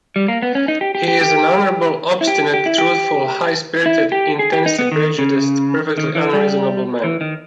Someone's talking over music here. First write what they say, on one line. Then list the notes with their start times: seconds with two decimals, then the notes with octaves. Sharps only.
He is an honourable, obstinate, truthful, high-spirited, intensely prejudiced, perfectly unreasonable man.
0.16 G3
0.28 A#3
0.42 B3
0.55 C#4
0.68 D#4
0.81 G4
0.95 G4
1.08 G4
1.21 G4
2.21 E4
2.27 G4
2.54 G4
2.66 E4
2.78 G4
3.86 E4
4.12 G4
4.39 G#4
4.53 G4
4.66 D#4
4.79 B3
4.92 D#3
5.19 C#3
5.98 D#3
6.15 E3
6.33 G3
7.04 E3
7.21 D#3